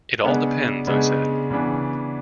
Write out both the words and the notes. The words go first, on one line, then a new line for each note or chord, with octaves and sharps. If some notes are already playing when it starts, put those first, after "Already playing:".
"It all depends," I said.
C#3 G#3 B3 D4
C#3 G#3 B3 D4
C#3 E3 B3 D4